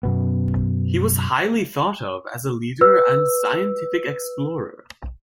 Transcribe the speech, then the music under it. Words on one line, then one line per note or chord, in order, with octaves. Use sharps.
He was highly thought of as a leader and scientific explorer.
F#2 B2 B3
B4 E6